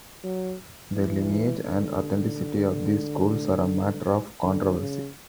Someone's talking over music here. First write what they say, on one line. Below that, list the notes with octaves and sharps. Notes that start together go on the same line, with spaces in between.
The lineage and authenticity of these schools are a matter of controversy.
F#3
E3
D3
D3
C#3